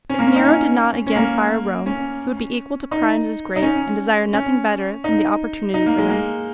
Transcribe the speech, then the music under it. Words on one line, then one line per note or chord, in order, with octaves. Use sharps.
If Nero did not again fire Rome he would be equal to crimes as great, and desire nothing better than the opportunity for them.
C#4
A#3
C#4
D#4
C#4
C#4
A#3
C#4
D#4
D#4
C#4
C#4
D#4
D#4
A#3
G#3
A#3